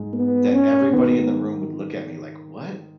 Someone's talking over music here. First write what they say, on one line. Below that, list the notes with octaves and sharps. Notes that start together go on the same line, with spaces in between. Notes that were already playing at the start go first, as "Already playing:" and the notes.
that everybody in the room would look at me like, "What?"
Already playing: G#2 G#3
B3
C#4
D#3 B3